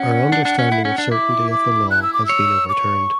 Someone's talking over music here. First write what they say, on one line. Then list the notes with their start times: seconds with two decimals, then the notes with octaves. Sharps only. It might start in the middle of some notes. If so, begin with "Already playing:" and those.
Our understanding of certainty of the law has been overturned.
Already playing: C#4 F#5
0.32 D4
0.45 D4
0.59 C#4
0.72 E4
0.85 C#4
0.98 D4
1.11 E4 D6
1.51 D6
1.91 F#6
2.03 E6
2.13 D6
2.26 C#5 E6
2.69 D6
2.73 C#6